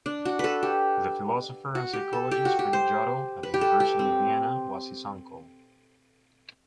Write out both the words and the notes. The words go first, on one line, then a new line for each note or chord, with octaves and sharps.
The philosopher and psychologist Friedrich Jodl at the University of Vienna was his uncle.
D4
F#4
A4 B4
G4
F#4
G4
A4
G4
F#4
G4
C5
B4
G4
A4
G4
C4